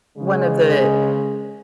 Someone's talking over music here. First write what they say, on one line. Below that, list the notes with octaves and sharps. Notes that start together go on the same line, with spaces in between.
one of the
C#3 G#3